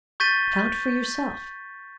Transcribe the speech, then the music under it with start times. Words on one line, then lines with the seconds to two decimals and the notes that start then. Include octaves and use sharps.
"Count for yourself."
0.20 C#6 G6 A6 B6 D#7 G7